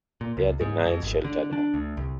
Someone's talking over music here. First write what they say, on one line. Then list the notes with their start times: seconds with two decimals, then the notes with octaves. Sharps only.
There the knights sheltered her.
0.21 A#2
0.37 C#2
0.60 G#2
0.86 F2
1.02 G#1
1.24 D3
1.53 D4
1.74 D2
1.97 C2